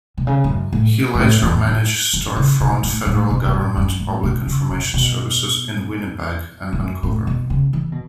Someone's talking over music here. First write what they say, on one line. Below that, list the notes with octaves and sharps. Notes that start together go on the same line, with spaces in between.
He later managed store-front Federal government public information services in Winnipeg and Vancouver.
B2
C#3
A2
F#2
A2
F#2
A2
E2
F#2
F#2
C#3
B2
A2
A2
B2
B2
A2
F#2
A2
B2
C#3
B2
B2
A2
F#2
A2
B2
C#3
E3
B2